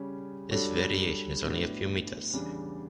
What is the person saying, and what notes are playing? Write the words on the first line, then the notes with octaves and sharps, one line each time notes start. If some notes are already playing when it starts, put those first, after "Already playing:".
This variation is only a few meters.
Already playing: C#3 G3 C#4
G3 D4 F#4 A4 C#5
A2 F#3 B3 D4
E2 C#3 G3 D4